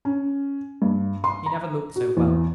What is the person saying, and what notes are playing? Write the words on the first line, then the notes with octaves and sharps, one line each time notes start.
He never looked so well.
C#4
G2
C6
A#5
F#4
E2